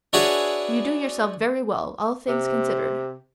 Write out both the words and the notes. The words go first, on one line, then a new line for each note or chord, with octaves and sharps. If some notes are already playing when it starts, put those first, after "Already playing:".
You do yourself very well, all things considered.
D4 E4 F#4 G#4 B4 C#5
C3